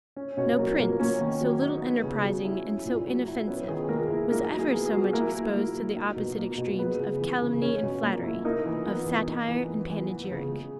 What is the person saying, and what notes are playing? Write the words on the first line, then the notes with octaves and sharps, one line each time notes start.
No prince, so little enterprising and so inoffensive, was ever so much exposed to the opposite extremes of calumny and flattery, of satire and panegyric.
C#4
B2 C#4 C#5
F#3 A#3 A#4
B2 A#3 A#4
A#3 C#4 C#5
D#3
F#3
D#4
B3
C#3
F#3
E4
C#4
A#2
F#3
E4
B3 C#4 B4
D#3 G#4
G#3 A#3 A#4
E4
A#3 D#4 A#4
F#3
G#4
B3
G#4
F#3
A#3 E4 A#4
F#3
A#3
F#3
D#4
B2
A#3
B2
G#3 B3 B4
C#3
E3
C#3
C#4
B2
A#3
E4
A#3 D#4 A#4
E3
B3
E3
D#4
E3
B3
E3
B3
C#3
G#3